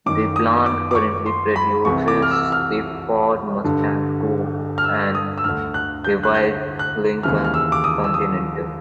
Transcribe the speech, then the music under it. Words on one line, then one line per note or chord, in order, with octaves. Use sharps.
The plant currently produces the Ford Mustang coupe and the revived Lincoln Continental.
F#2 D#3 D6
D#6
D6
D6
C#6
C6
B5
C2 C3 E3 C#6
D6
F6
E6
F6
G2 D3
F6
E6
D#6
E6
D2 D3 F6
F#6
G6
F#6
G6
F#6
D#2 C#3 E3 F6
F6
E6
D6
D#6
E6
D#6